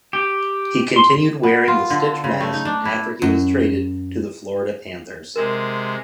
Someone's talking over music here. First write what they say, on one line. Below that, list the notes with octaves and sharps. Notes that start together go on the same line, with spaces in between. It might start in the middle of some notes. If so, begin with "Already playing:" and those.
He continued wearing the stitch mask after he was traded to the Florida Panthers.
G4
C6
B3
F4
D3
C#3
A3
D#4
D4
E4
F#2
C3 G#3 A#4